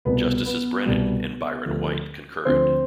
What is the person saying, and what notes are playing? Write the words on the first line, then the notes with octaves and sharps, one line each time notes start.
Justices Brennan and Byron White concurred.
C2 B2 G3 B3 B4
B3 B4
C2 B2 G3
D2 D3 F3
D2 D3 F3 C4 C5